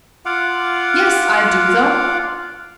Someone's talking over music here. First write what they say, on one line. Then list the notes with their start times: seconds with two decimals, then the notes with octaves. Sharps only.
Yes, I do, though.
0.25 F4 F5 F#5 D6